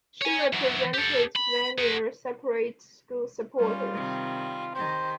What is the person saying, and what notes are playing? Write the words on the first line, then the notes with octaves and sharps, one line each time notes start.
She represented Vanier separate school supporters.
C#5 G#5
E3 F#3
G4 A4
B5
G#4 F#5
G3 C#4 F4
C3 D#3 G3
D#3 G4 C5